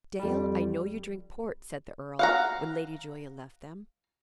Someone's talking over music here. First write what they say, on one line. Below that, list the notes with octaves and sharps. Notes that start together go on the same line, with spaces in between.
"Dale, I know you drink port," said the earl when Lady Julia left them.
F2 G3
F5 F#5 A#5